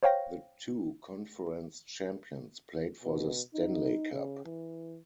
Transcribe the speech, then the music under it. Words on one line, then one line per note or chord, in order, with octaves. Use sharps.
The two Conference Champions played for the Stanley Cup.
C5 C#5 F5 G5 A#6
B2
D#4
C#3
E3